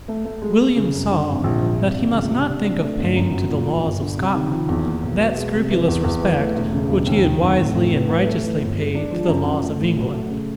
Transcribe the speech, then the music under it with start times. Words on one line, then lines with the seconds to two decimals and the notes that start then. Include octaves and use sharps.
William saw that he must not think of paying to the laws of Scotland that scrupulous respect which he had wisely and righteously paid to the laws of England.
0.08 A3
0.25 A3
0.42 G#3
0.59 G#3
0.76 C#3
0.93 F#2
1.11 D3
1.28 G#1
1.44 A#1
1.62 F3
1.79 G#1
1.96 G#1
2.13 C#2
2.30 C3
2.46 D4
2.64 D4
2.81 A3
2.98 G1
3.15 F#2
3.32 F#3
3.49 A#2
3.66 A#1
3.83 G1
4.01 D3
4.18 C3
4.34 D#3
4.51 F3
4.68 E2
4.85 A#3
5.03 B1
5.19 B2
5.36 G#3
5.54 C3
5.71 E3
5.88 E2
6.04 E2
6.22 E3
6.39 A3
6.55 E1
6.73 C#3
6.90 E1
7.07 D#2
7.24 D#3
7.41 F1
7.58 A2
7.75 A2
7.92 B3
8.09 B3
8.26 A3
8.43 E3
8.61 G1
8.77 G#3
8.94 D4
9.11 F3
9.28 F#2
9.45 F#1
9.63 A3
9.80 A2
9.97 F#3
10.14 A3
10.30 C#3